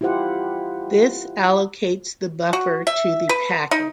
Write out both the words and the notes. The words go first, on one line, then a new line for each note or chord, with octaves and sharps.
This allocates the buffer to the packet.
E4 F4 G4 C5 F#5
F#4
E5
B4
D#4